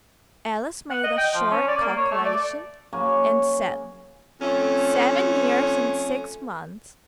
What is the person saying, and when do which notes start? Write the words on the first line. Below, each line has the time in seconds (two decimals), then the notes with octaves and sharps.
Alice made a short calculation, and said 'Seven years and six months.'
0.90 F#5
1.04 D#5
1.18 G5
1.34 F3
1.51 C#4
1.68 D5
1.81 A#3
1.97 C#5
2.11 A3
2.25 D5
2.93 C#3 F#3 A#3 G#5
4.41 F2 A3 C#4